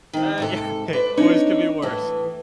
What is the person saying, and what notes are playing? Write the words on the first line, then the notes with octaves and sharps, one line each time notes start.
Uh, yeah. Hey, it always could be worse.
D#3 C4
G#2 C3 A4
B4 C5 D5
C4 D4 D#4 C#5
A2 E3